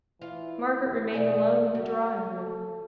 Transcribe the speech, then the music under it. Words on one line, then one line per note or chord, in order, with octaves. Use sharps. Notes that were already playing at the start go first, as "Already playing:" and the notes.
Margaret remained alone in the drawing-room.
E3 F4
B2 G#4 D5
C#3 F#4
A4